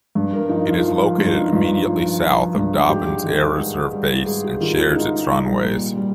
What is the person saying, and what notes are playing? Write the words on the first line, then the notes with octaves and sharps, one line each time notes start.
It is located immediately south of Dobbins Air Reserve Base and shares its runways.
G2
A#4
F3 D#4
F4
F3 F4
G2 F4
D#4
F4
G2
F3
F3
G2
G#2 G4
D#3
G#2
G3
G#2 G#4
G4
D#3 F4
F4
G#2 D#4
G3
A#2
G3